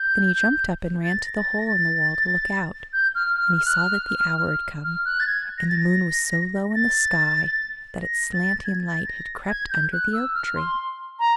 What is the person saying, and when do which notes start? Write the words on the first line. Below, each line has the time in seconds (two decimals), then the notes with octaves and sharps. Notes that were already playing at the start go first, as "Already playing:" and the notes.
Then he jumped up and ran to the hole in the wall to look out, and he saw that the hour had come, and the moon was so low in the sky that its slanting light had crept under the oak-tree.
Already playing: G6
1.04 A6
1.23 A#6
1.35 A6
1.59 A#6
1.67 A6
2.93 G6
3.15 F6
3.36 F6
3.57 F6
3.67 F#6
3.76 F6
4.84 F6
5.05 F#6
5.20 A6
5.26 G#6
5.58 A#6
5.69 A6
5.78 A#6
6.70 A#6
6.75 A6
8.02 A#6
8.33 A6
8.65 G#6
8.87 A6
9.07 A#6
9.50 G#6
9.70 G6
9.92 F#6
10.13 E6
10.35 F6
10.56 C6
11.19 A#5